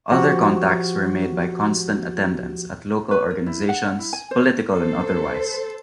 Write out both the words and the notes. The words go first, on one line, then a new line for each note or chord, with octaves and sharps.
Other contacts were made by constant attendance at local organizations, political and otherwise.
F3 F#4 G4
B4
A#4
E4
F#5
E4
G#5
C5
A4 C5